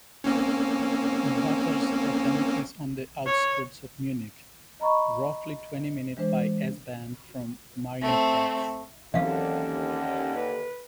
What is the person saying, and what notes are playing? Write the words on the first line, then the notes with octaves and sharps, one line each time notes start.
Vaterstetten is on the outskirts of Munich, roughly twenty minutes by S-Bahn from Marienplatz.
A#3 C4 C#4
C#5
D#5 A#5 B5 C#6
E3 G#3 D4 C5
A3 C4
D#2 D3 E3 F#3 C4 C#4 E5 F5
B4